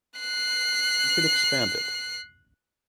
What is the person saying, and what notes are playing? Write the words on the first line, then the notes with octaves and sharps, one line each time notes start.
You can expand it.
F#6 C7